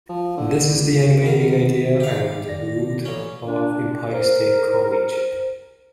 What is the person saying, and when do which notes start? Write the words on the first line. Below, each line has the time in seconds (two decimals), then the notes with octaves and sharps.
This is the animating idea and the root of Empire State College.
0.09 F3
0.37 D3
0.69 C#2
1.22 B2 D#3 A#4
2.00 G4 F5
2.48 D#3 D5 A#6
3.05 A1 C#4
3.47 D4
4.11 A#4 C5